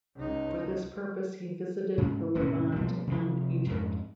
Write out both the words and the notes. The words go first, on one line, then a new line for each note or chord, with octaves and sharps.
For this purpose he visited the Levant and Egypt.
C#2 D#4
G#2 C#3
E1 A2 C3 C#4
B2 F3 G3 A#3
C3 F3
F2 G#2